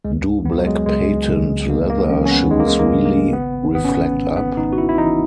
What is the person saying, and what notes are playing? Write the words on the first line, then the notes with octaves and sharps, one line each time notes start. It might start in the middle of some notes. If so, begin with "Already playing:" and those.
Do Black Patent Leather Shoes Really Reflect Up?
C#2 G#3
C#2 B3
F#3
G#3
C#2 G#3
C#2
C#2 A#3
A#3
E3 C#4
C#4
B3
C#2 G#3
A#3
G#3
A#3
C#3
A#3
G#1 B3
G#1 B3
C#4
B3
G#1
B3
G#1 D#4
F#4
E4
E4
E3 D#4